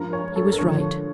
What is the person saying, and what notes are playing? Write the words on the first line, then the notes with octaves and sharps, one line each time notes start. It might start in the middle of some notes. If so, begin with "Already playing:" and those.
He was right.
Already playing: G2 F3 A#4
C#5
A4
A#4
G2 D3 F3 C#5